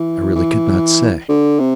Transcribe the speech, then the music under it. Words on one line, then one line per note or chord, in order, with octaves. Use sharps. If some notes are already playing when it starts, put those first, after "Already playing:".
'I really could not say.
Already playing: E3
E3
D3
C3